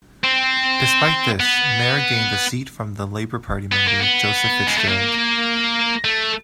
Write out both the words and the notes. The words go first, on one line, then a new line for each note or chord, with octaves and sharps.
Despite this, Mair gained the seat from the Labor party member, Joseph Fitzgerald.
C4
B3
B3
A#3
B3
G#3
A3
A#3
A3